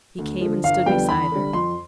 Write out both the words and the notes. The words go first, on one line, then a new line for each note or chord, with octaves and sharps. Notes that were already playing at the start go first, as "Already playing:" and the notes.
He came and stood beside her.
D2
D3 F3
G1 F5
F2 D3 G3 B3 G5
E2 B5
D3 G3
F2 C6